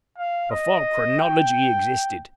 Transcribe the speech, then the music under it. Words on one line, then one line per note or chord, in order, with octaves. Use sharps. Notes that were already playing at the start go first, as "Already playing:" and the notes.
Before chronology existed....
F5
D#5
G5